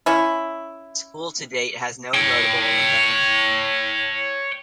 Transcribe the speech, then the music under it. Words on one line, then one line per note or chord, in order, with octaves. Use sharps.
The school to date has no notable alumni.
C#4 E4
C#5 G5